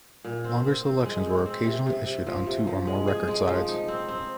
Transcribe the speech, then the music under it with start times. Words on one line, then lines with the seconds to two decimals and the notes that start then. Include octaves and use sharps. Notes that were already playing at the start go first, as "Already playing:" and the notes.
Longer selections were occasionally issued on two or more record sides.
0.24 A#2
0.44 C4
0.64 C4
0.85 C4
1.05 G#3
1.25 C4
1.46 C4
1.66 C3
1.86 C3
2.06 C3
2.26 F3
2.46 C3
2.67 F3
2.87 G#3
3.07 G#4
3.28 G#3
3.48 F3
3.68 D#4
3.88 C4
4.08 C4